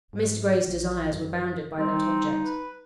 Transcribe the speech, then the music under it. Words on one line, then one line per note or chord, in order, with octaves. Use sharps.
Mr. Gray's desires were bounded by that object.
G#2
A#1
F#2
G3 C4 D#4
B4